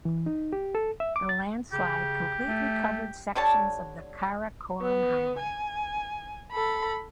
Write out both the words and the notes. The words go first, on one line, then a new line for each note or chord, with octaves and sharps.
The landslide completely covered sections of the Karakoram Highway.
E3
D#4
G4
A4
E5
D6
A6
C#3 G4
A3
D3 G3 C#5 A5
B3
G#5
A4 B5